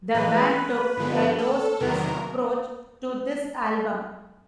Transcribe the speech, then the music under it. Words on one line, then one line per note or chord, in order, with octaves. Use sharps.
The band took a low-stress approach to this album.
A2 E3 G#3 B4
G2 D3 F3 G#3 B3
A4
E2 C3 D#3 F#3 A#4